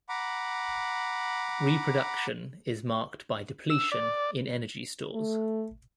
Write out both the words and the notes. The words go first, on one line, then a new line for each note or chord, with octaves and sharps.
Reproduction is marked by depletion in energy stores.
F#5 A#5 B5 D6
E6
D5
A3